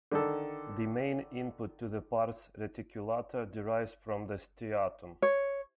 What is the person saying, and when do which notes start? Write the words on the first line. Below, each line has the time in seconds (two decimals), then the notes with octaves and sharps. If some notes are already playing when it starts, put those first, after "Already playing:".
The main input to the pars reticulata derives from the striatum.
0.12 D3 D#3 A4
5.22 C#5